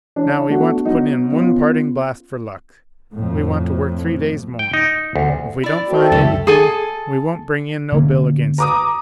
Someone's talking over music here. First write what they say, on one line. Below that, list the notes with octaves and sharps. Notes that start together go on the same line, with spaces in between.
Now we want to put in one parting blast for luck. We want to work three days more; if we don't find anything, we won't bring in no bill against you.
E3 C#4 D4
A3 B3 D4 F#4 A4
F#3 B3 D#4 F#4
B3 C#4 F4
F2 A2
G5
D#4
D2
E4 D5
A3 C4 F#4
C#2 F#2 G3 A4 E5
G#4 A4 G#5
D3 A#3 C#4
A#5 D6 D#6